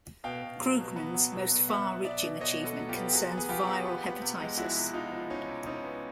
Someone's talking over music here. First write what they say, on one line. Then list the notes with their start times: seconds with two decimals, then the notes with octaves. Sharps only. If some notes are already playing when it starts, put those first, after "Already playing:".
Krugman's most far-reaching achievement concerns viral hepatitis.
0.24 B2 F5 G5
0.42 B2
0.60 F#3
0.79 B2
0.96 B3
1.14 F#3
1.32 B2
1.50 B2
1.68 B2 E5 F#5
1.87 B3
2.04 B2 D5 E5
2.22 B2
2.41 B2 C#5 D#5
2.59 B2
2.65 A4 B4
2.77 F#3
2.89 F4 G4
2.95 B3
3.09 G4
3.13 C3 F#4 G#4
3.31 B3
3.38 G#4
3.49 B3 F4 G4
3.67 B3
3.85 B3
4.04 B3
4.22 C3
4.40 G#3
4.57 F3 E4 F#4
4.76 C3
4.93 F3 D#4 F4
5.12 F3
5.30 F3 C#4 D#4
5.48 C3
5.66 C3 C#4 D#4
5.84 B3